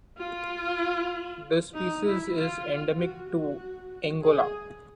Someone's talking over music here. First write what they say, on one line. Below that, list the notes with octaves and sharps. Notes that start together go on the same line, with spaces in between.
The species is endemic to Angola.
F4
D#4
E4
F4
F#4
F#4
G#4